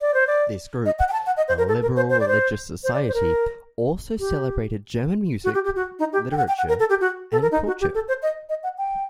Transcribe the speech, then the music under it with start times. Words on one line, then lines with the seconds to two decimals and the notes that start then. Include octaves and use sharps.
This group, a liberal religious society, also celebrated German music, literature and culture.
0.01 D5
0.14 C5
0.27 D5
0.86 D#5
0.99 F#5
1.09 G5
1.13 A5
1.26 F#5
1.37 D#5
1.48 C5
1.58 A#4
1.68 A4
1.82 A#4
1.96 C5
2.10 C5
2.20 D5
2.28 C5
2.84 C5
2.93 D5
3.08 C5
3.14 A#4
4.19 G4
5.44 F#4
5.54 G4
5.65 G4
5.76 F#4
5.99 D#4
6.13 G4
6.32 G5
6.37 F#5
6.48 G5
6.58 F#5
6.68 A#4
6.80 A4
6.90 G4
7.01 F#4
7.32 A4
7.42 A#4
7.52 D#4
7.67 F#4
7.81 G4
7.95 A4
8.08 C5
8.22 D#5
8.49 D#5
8.63 F#5
8.78 G5